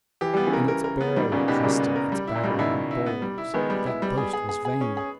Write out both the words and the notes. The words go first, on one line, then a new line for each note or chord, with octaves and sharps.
In its barrow it trusted, its battling and bulwarks: that boast was vain!
E3 G4
G3 B3
C#3 E3
A#4
A#4
A#4
B3
B2 D#3 G3
A#2 C#3 B3
G#2 B2 G4
A#2 C#3 G3
B3
A#4
G3
E4
A#2
B2 G3
C#3
B2 D#3 E4
E4
E4
B3
G3
E4
D#3 G#3 B3
G3
E4
G3
G#4
G#4
G#4
G#4
C#4
G#4